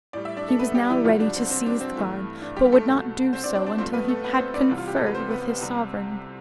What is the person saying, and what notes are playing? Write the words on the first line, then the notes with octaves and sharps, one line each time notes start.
He was now ready to seize the guard, but would not do so until he had conferred with his sovereign.
A2 G3 D5
E5
D4 D5
A4
B3 B4
G3 G4
E3 E4
C2 B2 F3 G3 F4
D4
C4
C4
D4
C4
G2 E3 A3
D4
G3 G4
A3 A4
C2 B2 A3
C4 C5
D4 D5
D4 D5
D4 D5
G2 F3 A3 C4 C5
B3 B4
A3 A4
B3 B4
C4 C5
D4 D5
C2 C3 E3 G3
F4
G4
A4
B4
C4 C5
B3 B4
C2 C3 G3